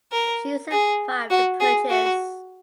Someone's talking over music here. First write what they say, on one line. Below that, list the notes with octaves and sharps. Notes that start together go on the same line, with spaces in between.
She survived the purges.
A#4
G#4
F#4
G#4
F#4